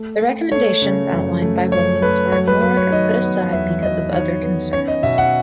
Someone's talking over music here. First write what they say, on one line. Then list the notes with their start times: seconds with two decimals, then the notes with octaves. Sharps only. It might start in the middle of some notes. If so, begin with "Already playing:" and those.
The recommendations outlined by Williams were ignored or put aside because of other concerns.
Already playing: A3
0.22 A3
0.52 A3 C#5
0.82 C#3
1.12 F#2
1.42 A3
1.72 F#2 C#5
2.02 A3 B4
2.32 F#3 C#5
2.48 B4
2.62 F#3 B4
2.77 C#5
2.92 D#3 D#5
3.22 B3
3.53 E2 E5
3.82 F#3 D#5
4.13 D#3 C#5
4.43 B3
4.73 C#4 C#5
4.88 D#5
5.03 B2 E5
5.18 F#5